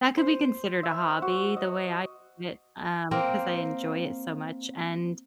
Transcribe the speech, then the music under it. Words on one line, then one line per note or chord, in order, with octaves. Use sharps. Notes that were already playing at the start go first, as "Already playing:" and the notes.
that could be considered a hobby, the way I see it, um, 'cause I enjoy it so much, and
C5
E5
F#4
D#5
A#3 C4 A#4